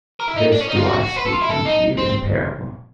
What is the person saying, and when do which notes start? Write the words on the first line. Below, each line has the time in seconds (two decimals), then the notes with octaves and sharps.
This do I speak unto you in parable.
0.20 A#4
0.28 E4
0.36 D#4
0.52 D4
0.60 C#4
0.68 D#4
0.76 F4
0.85 F#4
1.00 F#4
1.16 B4
1.25 A4
1.32 F4
1.41 E4
1.50 A4
1.65 D#4
1.97 C4